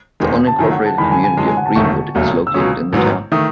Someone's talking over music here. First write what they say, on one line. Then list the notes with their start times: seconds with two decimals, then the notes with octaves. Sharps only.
The unincorporated community of Greenwood is located in the town.
0.20 E1 D#2 D#3 G#3
0.47 A5
0.58 F#2 D#3 A3 G#5
0.72 F#5
0.85 A5
0.98 E2 D#3 G#3 B5
1.11 G#5
1.23 G#5
1.37 F#2 E3 G#3 A5
1.47 G#5
1.57 F#5
1.66 A5
1.75 E1 D#2 D#3 A3 C#6
2.15 E1 D#2 C#3 F#3 A3
2.47 E6
2.54 C#2 B2 F#3 C#4 D#6
2.93 A1 G#2 D#3 F#3 B3
3.32 D#3 A3 D#6